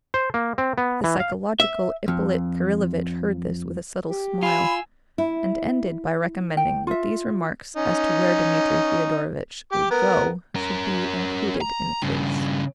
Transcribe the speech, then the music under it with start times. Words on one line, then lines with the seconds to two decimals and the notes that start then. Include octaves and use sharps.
The psychological Ippolit Kirillovitch heard this with a subtle smile, and ended by recommending that these remarks as to where Dmitri Fyodorovitch would go should be "included in the case."
0.14 C5
0.34 A#3
0.58 C4
0.78 B3
1.04 E3
1.20 F5
1.60 E5
2.08 F2
4.09 G4
4.43 F4 G#5 B5 E6
5.18 E4
6.57 G5
6.87 F4 E5
7.76 C#4 D#4
9.72 G4 D6
9.91 B3 A#4
10.55 C#4 A#4
11.61 A#5
12.02 G2 C#3